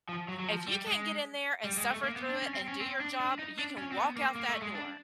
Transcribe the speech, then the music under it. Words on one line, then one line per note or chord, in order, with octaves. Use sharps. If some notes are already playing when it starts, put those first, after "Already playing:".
if you can't get in there and suffer through it and do your job, you can walk out that door,"
F3
F#3
F#3
F3
G3
G#3
G3
G#3
A3
A#3
B3
D4
C#4
C4
C#4
C4
D4
D4
D#4
D4
C#4
C4
B3
A#3
A#3
A3
G#3
D4